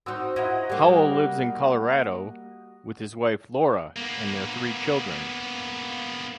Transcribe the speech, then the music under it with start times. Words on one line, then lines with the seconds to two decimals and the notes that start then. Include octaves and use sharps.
Howell lives in Colorado with his wife, Laura, and their three children.
0.06 C4 D#4 F#4 D#6 E6
0.36 E4 F4 D#5 F#5 A#5
0.70 G3 A#3
3.96 A#3 B3